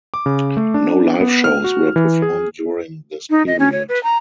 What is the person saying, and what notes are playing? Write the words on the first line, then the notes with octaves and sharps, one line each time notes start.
No live shows were performed during this period.
D6
C#3
A3
D4
B3
F6
F#4
E3
G#4
D#4
D#5
C#4
C#5
B4
A#5